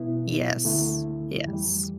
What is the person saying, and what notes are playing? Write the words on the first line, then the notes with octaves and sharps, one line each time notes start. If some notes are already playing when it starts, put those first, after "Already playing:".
Yes. Yes.
Already playing: B2 B3 E4
D2 D3 A3 E4
F2 E3 G3